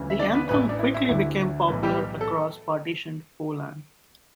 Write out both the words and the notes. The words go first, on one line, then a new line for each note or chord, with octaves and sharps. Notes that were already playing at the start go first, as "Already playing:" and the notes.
The anthem quickly became popular across partitioned Poland.
Already playing: D2 C#3 E3
E5
D4 D5
B3 B4
A1 A2 E3 B3 B4
E4
D4
E4
E4
D2 D3 E4
B1 A2 E3
G3 G4
A4